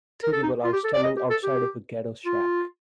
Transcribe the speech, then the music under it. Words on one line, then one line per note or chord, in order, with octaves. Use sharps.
Three people are standing outside of a ghetto shack.
A#4
A4
D#4
F4
G4
A4
D5
D#5
G4
A4
G4
F4